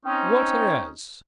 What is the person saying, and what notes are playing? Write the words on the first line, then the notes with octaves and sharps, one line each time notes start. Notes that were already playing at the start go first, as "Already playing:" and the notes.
"What as?"
C4 C#4 D#4